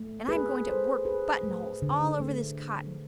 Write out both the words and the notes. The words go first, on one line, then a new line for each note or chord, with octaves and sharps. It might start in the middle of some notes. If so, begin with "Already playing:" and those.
And I'm going to work buttonholes all over this cotton.
Already playing: A3
A3 G#4 B4
A3 A4 C5
A3 G#4 B4
A3
D3
A3